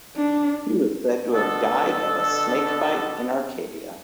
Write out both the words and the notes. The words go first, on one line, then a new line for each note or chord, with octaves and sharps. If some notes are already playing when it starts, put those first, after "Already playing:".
He was said to have died of a snakebite in Arcadia.
D4
B2 D3 A4